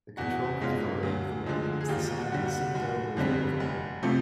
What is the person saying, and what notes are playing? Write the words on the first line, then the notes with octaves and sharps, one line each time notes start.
The controlling authority of the lake is the San Jacinto River Authority.
E2 F#4
B2 G#3 C#4 F4
D2
D3 F3 G#3
G#4
D#2 F4 G4
F#4
D3 G3
F#4
F1 F#4
F2 D3 G3 C4
F1
C3 F3 A3